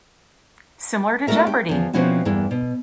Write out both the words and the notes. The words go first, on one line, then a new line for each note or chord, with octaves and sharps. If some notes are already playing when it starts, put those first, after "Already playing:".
Similar to Jeopardy!
A3 D4 D#4 F#4 A#4 E5
G4
E2 F3
B2 F3 C4 C#4 E4 F#4
E2 G2 A#3 E4
B2